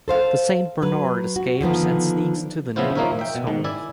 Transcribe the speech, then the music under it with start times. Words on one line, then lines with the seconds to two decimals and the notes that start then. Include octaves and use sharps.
The Saint Bernard escapes and sneaks into the Newton's home.
0.08 A4 C5 F5
0.82 F#3 B4
1.36 F#4
1.61 D3 D#3 F3 B3
2.76 C#3 F3 B3 E4 F4 C5
2.95 F3 A#3 D#4 A#4 C#5 E5
3.19 E5 G5
3.35 B2
3.47 G#2 D#3
3.64 E4 D5 E5 G#5